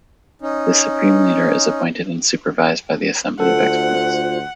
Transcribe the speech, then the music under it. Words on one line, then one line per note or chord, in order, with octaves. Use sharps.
The Supreme Leader is appointed and supervised by the Assembly of Experts.
C#4 D#4
D2 F4 A4 C5 F#5